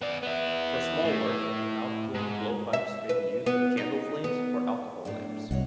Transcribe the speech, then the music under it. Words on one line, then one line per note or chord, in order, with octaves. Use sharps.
For small work, mouth-blown blowpipes may be used with candle flames or alcohol lamps.
B3 D5
B3 E4
A2
G#2
E5
B4
B3
D#4
B3
A2 A3 D4
C2 C#5 D#5 F#5